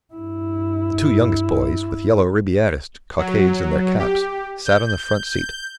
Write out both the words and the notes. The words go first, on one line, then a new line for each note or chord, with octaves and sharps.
The two youngest boys, with yellow Ribierist cockades in their caps, sat on the front seat.
G2 E4
F#3
G4
G6